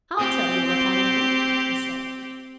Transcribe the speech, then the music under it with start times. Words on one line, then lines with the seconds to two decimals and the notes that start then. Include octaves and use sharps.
"I'll tell you what I am," I said.
0.18 C4 G4